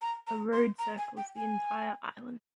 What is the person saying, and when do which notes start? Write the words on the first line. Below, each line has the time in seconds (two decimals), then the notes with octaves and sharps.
A road circles the entire island.
0.02 A#5
0.27 A#5
0.53 C6
0.79 A#5
0.98 G#5
1.17 G5
1.36 G#5